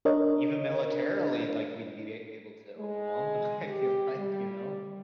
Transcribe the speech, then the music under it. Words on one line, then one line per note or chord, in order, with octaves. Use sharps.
even militarily, like, we'd be a able to overwhelm them. I feel like, you know?
D4 A#4 C#5 D#5
G#3
G4
G3